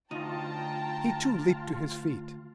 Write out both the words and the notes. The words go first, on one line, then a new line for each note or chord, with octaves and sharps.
He, too, leapt to his feet.
D2 D#4 F4 G5 A5 A#5